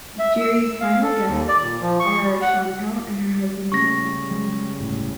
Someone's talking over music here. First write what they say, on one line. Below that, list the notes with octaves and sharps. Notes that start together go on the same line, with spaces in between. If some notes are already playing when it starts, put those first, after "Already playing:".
Jerry's final guests are Shawntel and her husband, Chucky.
E5
E6
F5
A4
D#2
D5
A#2
F3
C#6
G3
F#5
C#3 G3 A3 A#3 C#4 C#6 A#6
F#3 G#3
G1 C#2 A2